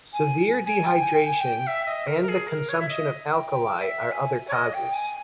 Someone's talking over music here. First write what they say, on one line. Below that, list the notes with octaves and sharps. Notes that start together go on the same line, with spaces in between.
Severe dehydration, and the consumption of alkali are other causes.
G#5
G#5
G5
G#5
G5
G#5
G5
E5
D#5
A#4
A#4
G#4
A#4
C#5
E5
D#5
G5
G5
E5
G#5
C#5
D#5
G5
G#5